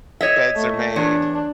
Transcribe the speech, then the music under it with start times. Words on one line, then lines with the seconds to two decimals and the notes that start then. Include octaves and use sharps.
beds are made,
0.21 C#5 D#5 E5
0.56 A3
0.96 E2 D4 C#5